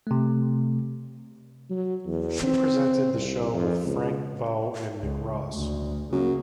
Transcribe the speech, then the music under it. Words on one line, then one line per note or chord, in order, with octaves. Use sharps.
She presented the show with Frank Bough and Nick Ross.
C3 A3
F#3
E2
C4
C2
F2
C#2
C#2
D2
F#2 C#3 A#3